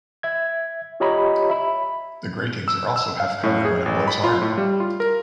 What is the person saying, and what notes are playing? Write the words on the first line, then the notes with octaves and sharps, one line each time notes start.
The gratings are also half covered when it blows hard.
E5 G#6
F4 G4 C#5 D#5 A#5 B5
E5 B5
E6
E6
F5
A2
G#4
A1
B5
F4
A2
G3
F4
A#4